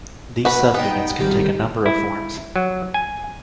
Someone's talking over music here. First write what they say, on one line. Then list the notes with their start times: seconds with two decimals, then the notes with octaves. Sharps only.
These subunits can take a number of forms.
0.45 F#4 B4
0.74 B3 D#4 D#5 G5
1.20 G#1 D#3 G3 G6
1.86 E4
2.56 F#3
2.94 G#5